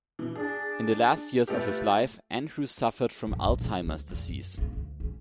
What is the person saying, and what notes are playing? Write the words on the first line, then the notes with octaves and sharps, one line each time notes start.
In the last years of his life, Andrews suffered from Alzheimer's disease.
E3
D4 G#4
A3 F4 G4 B4
F#2
C3
C#3
D2
E2
F#2
B3
D2
C#4